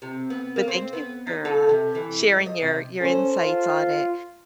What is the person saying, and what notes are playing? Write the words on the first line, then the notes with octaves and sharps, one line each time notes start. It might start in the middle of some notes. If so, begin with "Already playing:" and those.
but thank you for, uh, sharing your your insights on it,
C3
B3
A#3
C4
B3
D#4
A4
C3
E3
G#2
D#5
C3
C#4 A4 C5
F4